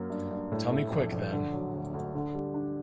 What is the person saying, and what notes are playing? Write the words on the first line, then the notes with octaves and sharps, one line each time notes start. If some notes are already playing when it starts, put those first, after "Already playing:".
Tell me quick, then.
Already playing: F#2 F#3 A#3
G2
G2
A2
A3
A#1
A#1
D3
F#3
D2
D2
D3
G3
D4